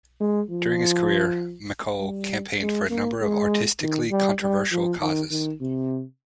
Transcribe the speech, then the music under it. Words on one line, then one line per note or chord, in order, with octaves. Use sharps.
During his career, MacColl campaigned for a number of artistically controversial causes.
G#3
F3
G3
G#3
A#3
G#3
D#3
G3
G3
F3
D#3
D#3
C3